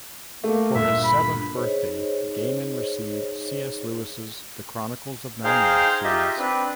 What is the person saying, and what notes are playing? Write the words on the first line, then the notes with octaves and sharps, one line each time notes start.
For his seventh birthday, Gaiman received C. S. Lewis's "The Chronicles of Narnia" series.
A3 A#3
D2 G2 A#2 E5
B5
D#4 G#4 C5 C#5 D#5
D#4 G#4 C5 F5 G5 F6
D#4 F4 G4 D#5 E5
C4 D4 B4